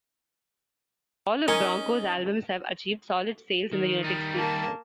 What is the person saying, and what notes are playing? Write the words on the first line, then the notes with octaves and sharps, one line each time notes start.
All of Bronco's albums have achieved solid sales in the United States.
C#4 D#4 A#4 G#5
D#3
G3 D#4
A#3 A5